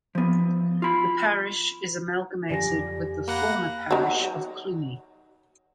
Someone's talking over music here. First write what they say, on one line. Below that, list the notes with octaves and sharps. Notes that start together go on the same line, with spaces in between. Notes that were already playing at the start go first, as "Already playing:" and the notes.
The parish is amalgamated with the former parish of Clooney.
F3 B3
F4 B5
F#2 D3 F3 G4 D5 G#5 A#6
F2
A#3 F5 F#5 B5 F#6 A#6
D#3 F#3